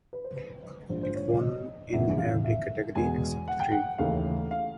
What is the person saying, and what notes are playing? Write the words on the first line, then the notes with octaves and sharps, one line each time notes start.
It won in every category except three.
B4
C5
B4
A#1 G#2 F3 C5
C5
C#5
D5
D#5
E1 E2 C3 E3 E5
F5
E5
E2 B2 G#3 G#5
F#5
G5
F#5
D#2 C#3 E3 A3 F5
F5